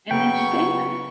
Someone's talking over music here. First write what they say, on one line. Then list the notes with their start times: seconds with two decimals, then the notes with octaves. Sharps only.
Can they escape?
0.11 C#3 F#3 B3 G5 C#6